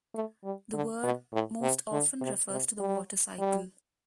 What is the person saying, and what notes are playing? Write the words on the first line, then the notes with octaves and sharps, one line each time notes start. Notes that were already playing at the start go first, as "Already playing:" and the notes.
The word most often refers to the water cycle.
A3
G3
D3
B2
A2
C3
D3
C3
C3
G3
G3